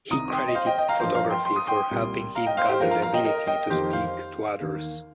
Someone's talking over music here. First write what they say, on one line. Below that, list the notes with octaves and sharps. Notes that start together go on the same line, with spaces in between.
He credited photography for helping him gather the ability to speak to others.
C2 C3 D#3 A#5 D#6
G5 C6
D#5
C5 F5
D#5 G5
D#5 G5
F5 A#5
G2 F3 A#3 C5 F5
F5 A#5
G5 C6
C6
D#6
G5 C6
C2 A#2 G3 A#3
F5 A#5
D#5 G5
C5 F5
G4 C5
G2 F3 A#3 F4 A#4
F5 A#5
F5 A#5
D#5 G5
A#4 D#5
D#5 G5
F2 D#3 A#3 G4 C5
C5 F5
D#2 D#3 A#3